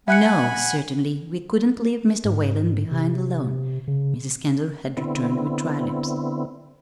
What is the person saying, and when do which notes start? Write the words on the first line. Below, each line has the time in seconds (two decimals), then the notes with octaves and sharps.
"No, certainly we couldn't leave Mr. Whalen behind alone," Mrs. Kendall had returned with dry lips.
0.08 E5 F#5 G#5 B5 F#6 C#7
2.25 G#2
2.91 C3
3.88 C#3
4.97 D3 B3 C4 E4